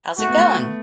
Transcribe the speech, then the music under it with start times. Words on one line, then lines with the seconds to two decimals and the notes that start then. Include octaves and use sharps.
How's it going?
0.18 A3 F#4
0.27 B3
0.37 A3